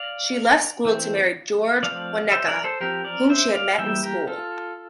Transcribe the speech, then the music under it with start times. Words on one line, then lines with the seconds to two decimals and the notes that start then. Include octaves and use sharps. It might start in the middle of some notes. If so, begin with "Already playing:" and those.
She left school to marry George Wauneka, whom she had met in school.
Already playing: D5 F5
0.85 E3 A3 C4
1.83 F3 A3 C4 D5 F5
2.32 C5 E5
2.47 A#4 D5
2.64 A4 C5
2.80 F3 C4 G4 A#4
3.05 A#4 D5
3.30 C5 E5
3.54 D5 F5
3.78 E3 G3 A#3 E5 G5
4.03 G4 A#4
4.27 F4 A4